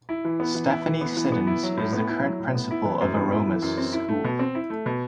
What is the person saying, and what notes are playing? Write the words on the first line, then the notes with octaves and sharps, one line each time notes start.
Stephanie Siddens is the current principal of Aromas School.
E4
E3
B3
E3
E4
E3
B3
E3
B3
E4
F#3
A2
B3
E4
F#3
A2
B3
E4
E3
F#2
B3
E4
E3
F#2
C4
E4
A3
B2
C4
E4
A3
B2